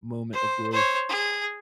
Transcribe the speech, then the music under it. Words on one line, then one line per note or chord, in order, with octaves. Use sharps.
moment of growth
C5
C5 C#5
G#4